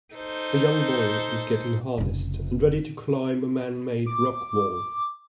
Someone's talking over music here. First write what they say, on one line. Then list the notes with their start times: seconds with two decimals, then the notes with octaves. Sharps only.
A young boy is getting harnessed and ready to climb a manmade rock wall.
0.14 D#4 A4 C5
1.98 F1 C#3
4.06 D6